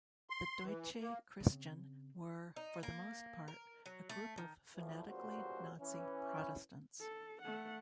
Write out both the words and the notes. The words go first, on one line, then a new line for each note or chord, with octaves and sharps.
The Deutsche Christen were, for the most part, a group of fanatically Nazi Protestants.
C6
E3
A#3
C#3 C4
D#4
A#3
A#4
F#3
A3
D#3
E2 A2 E3 F3
E2 A#2 C#3 G3 F#4 C5
E3 C#4
A4
A3 F#5